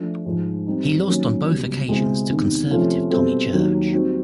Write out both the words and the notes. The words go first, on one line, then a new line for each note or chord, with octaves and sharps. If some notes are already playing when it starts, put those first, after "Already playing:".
He lost on both occasions to Conservative Tommy Church.
Already playing: F3 A3 D4
G#2 F3 G#3
G3 C4 D#4
D#3 F#3 A#3 C#4
C#2 B2 G3
C#2 B2 G#3 C4 E4
E2 C3 D#3
C3 F3 A3 C#4 F4
B2 G3 C4 E4 A4
D#2 D#3 F#3 A#3
G3 C4 D#4 F#4